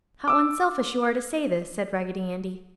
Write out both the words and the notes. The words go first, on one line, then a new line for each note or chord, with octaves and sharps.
"How unselfish you are to say this!" said Raggedy Andy.
D6 E6